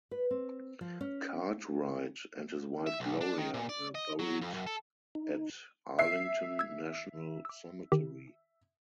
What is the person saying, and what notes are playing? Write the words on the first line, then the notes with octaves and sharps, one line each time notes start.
Cartwright and his wife Gloria were buried at Arlington National Cemetery.
B4
C4
F3
C#4
E5
B1
D4
D#3
A#2
D5
D#5
F#3
F2
F#2
A4
D#4
E5 F#6 C7
E6 G#6
D6 E6
D#3 G4